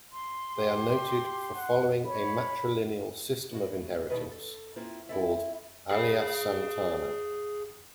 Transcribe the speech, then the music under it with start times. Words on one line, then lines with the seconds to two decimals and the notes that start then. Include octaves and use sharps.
They are noted for following a matrilineal system of inheritance called Aliyasantana.
0.13 C6
0.57 G4
1.55 F#5
2.06 C#5 B5
3.52 A2 F#4
4.09 B2 D#3 G3 E4 B4 D#5
4.31 A4
4.76 A#3 C4 E4 F4 C5
5.09 C4 E4 A4 D5 E5
5.91 G#4 F5